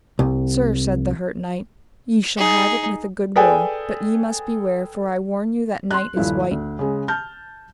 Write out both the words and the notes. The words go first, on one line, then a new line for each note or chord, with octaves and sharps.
Sir, said the hurt knight, ye shall have it with a good will; but ye must beware, for I warn you that knight is wight.
C2
D#4 G#4
G#4 A4 B4 D5 G5 G#5
C6 F#6
D#1 G2 E4 F4
D2
C#3 G#3
A5 F6 G6